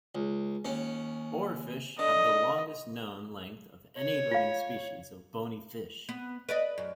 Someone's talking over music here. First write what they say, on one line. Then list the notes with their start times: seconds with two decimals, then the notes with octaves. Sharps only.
Oarfish have the longest known length of any living species of bony fish.
0.15 C#2
0.65 D#2 C#4
1.99 D3 D#5
3.98 C#5
4.31 F4 F5
6.09 B3
6.49 B4 D5 D#5
6.78 F#2